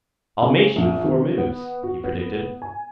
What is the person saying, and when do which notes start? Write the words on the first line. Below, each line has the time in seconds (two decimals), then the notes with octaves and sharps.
"I'll mate you in four moves," he predicted.
0.42 C#3
0.76 A#1
1.04 D#3
1.38 B3
1.83 F#4
2.04 B3
2.62 G#5